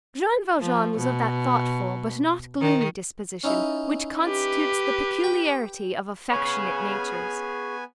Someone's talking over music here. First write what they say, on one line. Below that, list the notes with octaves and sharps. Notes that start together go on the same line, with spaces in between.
Jean Valjean was of that thoughtful but not gloomy disposition which constitutes the peculiarity of affectionate natures.
F3
B2
D#3
C#4 D#4 E4
G4 B4
G5
B3 G#4 C#5 G#5